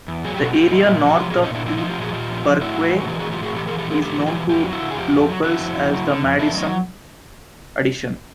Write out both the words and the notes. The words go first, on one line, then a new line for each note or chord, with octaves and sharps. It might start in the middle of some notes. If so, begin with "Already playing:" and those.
The area north of D Parkway is known to locals as the "Madison Addition".
E2
F#3 G#4
G4
B2 F#4
E2 F4 G4
A#2 D#4
A#2 E4
F4
F3 F#4
F3 F4 G4
F#4 G#4
A#2
C#4 D#4
A#2 D4 E4
F3 D4 E4
D#4 F4
F3
F4 G4
A#2 F#4 G#4
A#2 F4 G4
F3
F3
A2 E4 F#4
A2
E3
F#4
E3 F4 G4
A2 F#4 G#4
F4 G4
A2 F#4 G#4
E3 G4 A4
E3 G#4 A#4
G4 A4
A2 G#4 A#4
A2 G4 A4
E3 F#4
F4 G4
E3
F2 F4 G4
F#3
E4 F#4
D3
G#4
F2 F4 G4
F2
F#3
D3 E4 F#4
F2
F2
F#3
D3
F2
E2 D4 E4
F#3 C#4 D#4